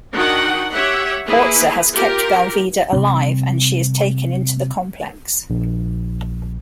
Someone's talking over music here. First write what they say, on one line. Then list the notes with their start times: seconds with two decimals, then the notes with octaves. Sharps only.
Horza has kept Balveda alive, and she is taken into the complex.
0.15 D#3 D4 F#4 D#5 F#5 G5
0.71 G4 C#5 E5 F#5
1.27 A#3 E4 G#4 B4
1.93 F4 G4 A#4
2.93 C3 G3 C4
5.50 A#1